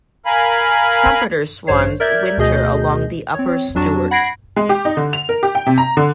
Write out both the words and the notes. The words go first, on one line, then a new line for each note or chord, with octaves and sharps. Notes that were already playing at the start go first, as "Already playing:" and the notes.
Trumpeter swans winter along the upper Stuart.
A#4 F5 G#5 B5
A1 G2 C5 C#5 C7
A#4 D5 E5 G6 G#6
D2 B2 G#4 D#5 G6
C4 C#5
F2 F#3 D4 F#4 A5
F#5 B5 G#6 A#6 C7 D7
G#3
G4
D#4
D3
F7
A#4
G4
G5
C3
A#5
D3